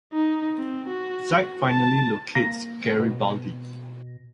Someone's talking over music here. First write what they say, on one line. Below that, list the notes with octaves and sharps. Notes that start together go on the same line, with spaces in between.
Zack finally locates Garibaldi.
D#4
C4
F#4
A5
A#3 A#6
B2